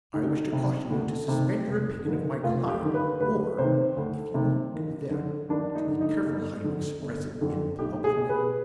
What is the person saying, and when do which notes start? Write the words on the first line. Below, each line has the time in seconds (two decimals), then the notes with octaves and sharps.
I wish to caution you to suspend your opinion of my client, or, if you won't do that, to be careful how you express it in public.
0.14 D2 D#4
0.53 C3 D#3
0.90 D2
1.28 C3 D#3
1.67 F1
2.05 D#2 D3
2.43 F1 F4
2.68 G4
2.82 D#2 D3
2.94 B4
3.21 D2 B4
3.58 C3 D#3 C5
3.96 D2
4.34 C3 D#3
4.73 D#2
5.11 D3
5.49 D#2 D4
5.75 D#4
5.87 D3
6.01 D#4
6.26 G1
6.64 F2 D3
7.02 G1
7.41 F2 D3
7.79 B1 G4
8.04 G#4
8.17 B2
8.29 B4